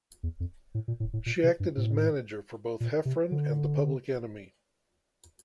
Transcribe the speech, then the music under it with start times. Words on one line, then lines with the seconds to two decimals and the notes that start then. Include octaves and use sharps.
She acted as manager for both Heffron and The Public Enemy.
0.23 E2
0.40 F2
0.75 A2
0.88 A#2
1.00 A2
1.13 A2
1.26 A#2
1.43 C3
1.60 G2
1.77 A2
2.80 A#2
3.05 C3
3.32 D3